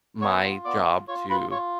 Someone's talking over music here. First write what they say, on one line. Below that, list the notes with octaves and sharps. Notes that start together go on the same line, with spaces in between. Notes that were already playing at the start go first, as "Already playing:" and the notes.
my job to
B3 C#5 C#6
F4
B3 D5 D6
F4
F4 C#5 C#6
F4 B4 B5
F4 C#5 C#6